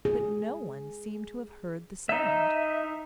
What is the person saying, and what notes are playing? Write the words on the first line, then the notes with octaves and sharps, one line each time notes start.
But no one seemed to have heard the sound.
G#4
D#4 E5